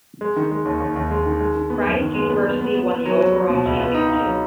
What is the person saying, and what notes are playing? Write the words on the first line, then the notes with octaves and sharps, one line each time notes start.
Christ University won the overall championship.
G#3
D#3
G#3
D#2
D#2
D#2
G#3
D#3
G#3
D#3
B3
F#2
D#3
G#3
B3
B3
B3
B3
B3
F#3
F#3
F#3
B2
C#2
B3
D#4
D#4
F#3